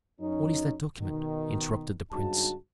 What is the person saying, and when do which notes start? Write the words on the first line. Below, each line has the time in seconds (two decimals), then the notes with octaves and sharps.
"What is that document?" interrupted the prince.
0.21 F#2 C#4 D#4
1.00 B2 D#3
2.12 G#1 G2 C#3 D#4 F#4 A5